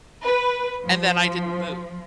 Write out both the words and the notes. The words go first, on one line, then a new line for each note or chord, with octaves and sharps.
and then I didn't move.
B4
F3